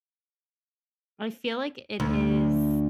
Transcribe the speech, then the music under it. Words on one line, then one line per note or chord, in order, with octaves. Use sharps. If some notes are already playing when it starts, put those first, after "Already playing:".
I feel like it is
D2